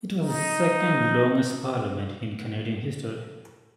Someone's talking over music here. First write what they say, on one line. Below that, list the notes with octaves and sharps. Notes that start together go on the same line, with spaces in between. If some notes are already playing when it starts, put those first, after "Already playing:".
It was the second longest parliament in Canadian history.
D#4